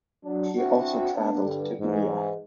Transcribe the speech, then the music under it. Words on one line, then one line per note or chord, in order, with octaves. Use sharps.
She also traveled to India.
F#3 D4
C4 D4 E4 F#4
A#3 B3 D4
G2 D3
G#2 E3